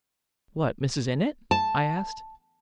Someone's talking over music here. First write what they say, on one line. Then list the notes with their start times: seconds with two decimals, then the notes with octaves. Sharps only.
"What, Mrs. Innitt?" I asked.
1.51 A5